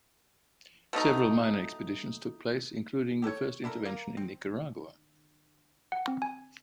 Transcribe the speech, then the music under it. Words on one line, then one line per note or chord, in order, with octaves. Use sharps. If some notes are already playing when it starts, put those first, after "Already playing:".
Several minor expeditions took place, including the first intervention in Nicaragua.
B2 A3 D#4 A#5
G4 A4 A#4 C#5
D4 E4 A4 A#4
A#3 A#4
C4
F#5
C4
G#5